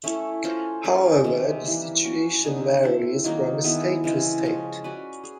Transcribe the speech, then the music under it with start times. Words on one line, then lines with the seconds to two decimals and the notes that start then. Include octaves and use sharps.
However, this situation varies from state-to-state.
0.04 A3 C#4 E4 A4
0.44 C#4 F4 A4 C5
0.84 C#4 F4 A4 D5
1.24 C3 D#3 G#3 C4
1.64 E3 G3 A#3
2.04 A#3 C#4 F#4
2.44 D3 F#3 B3 D#4
2.83 C4 E4 A4
3.24 D#3 F#3 A#3 D#4
3.64 D#3 G#3 B3 E4
4.04 C#3 E3 G#3 C4
4.43 F3 G#3 C#4
4.84 C#4 F#4 B4 D5
5.24 G#4